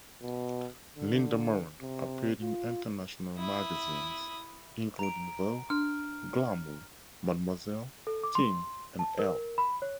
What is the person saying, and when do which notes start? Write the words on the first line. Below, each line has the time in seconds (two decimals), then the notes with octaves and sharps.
Linda Morand appeared in international magazines including "Vogue", "Glamour", "Mademoiselle", "Teen", and "Elle".
0.22 B2
0.96 D3
1.82 C3
2.41 F4
3.39 E4 D#6
4.99 A#5 D7
5.70 D4 F6
8.07 A4
8.23 D6
8.35 C6
8.99 A5
9.19 A#4
9.58 B5
9.82 C#5